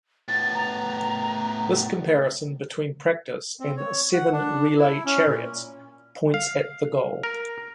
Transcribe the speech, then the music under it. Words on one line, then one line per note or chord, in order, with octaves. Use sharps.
This comparison between practice and "seven relay chariots" points at the goal.
A2 B3 A6
A#5
C4
C#5
F#5
D4
E4
C#4
A#2
F5
A#4